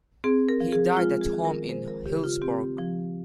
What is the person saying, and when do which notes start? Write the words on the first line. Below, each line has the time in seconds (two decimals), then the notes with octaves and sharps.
He died at home in Hillsborough.
0.24 C4 G#4
0.49 A#4
0.60 F3
0.73 G#4
0.97 G#3 F4
1.21 G#4
1.33 D#3
1.45 A#4
1.69 G#3 C5
1.88 A#4
2.06 C#3 G4
2.24 F4
2.42 C4 G4
2.78 F3